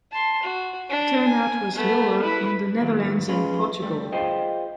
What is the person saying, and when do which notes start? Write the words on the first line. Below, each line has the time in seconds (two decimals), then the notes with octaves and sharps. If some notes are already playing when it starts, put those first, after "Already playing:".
Turnout was lower in the Netherlands and Portugal.
0.11 A5 C6
0.43 F#4
0.89 D4
1.26 G#5
1.75 A3 B3
2.21 E4 B4
2.80 A2 D#3 F3 F#3 B3
3.28 C#4 D#4 F4 G#4 B4
3.82 G2 G3 A3
4.12 F4 G#4 C5 D#5 F5 G5